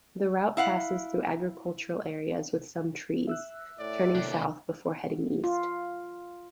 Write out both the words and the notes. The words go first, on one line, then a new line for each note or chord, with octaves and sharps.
The route passes through agricultural areas with some trees, turning south before heading east.
E4 F5 F#5
E5 E6 F#6
A2 D5
D#2 C3 D4
F4